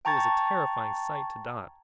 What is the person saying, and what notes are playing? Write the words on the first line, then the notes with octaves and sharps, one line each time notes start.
It was a terrifying sight to Dot.
G5 A5 A#5 C#6 G#6 A6